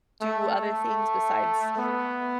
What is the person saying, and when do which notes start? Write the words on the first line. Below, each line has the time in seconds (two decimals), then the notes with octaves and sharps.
do other things besides
0.21 A3
0.52 A3
1.77 B3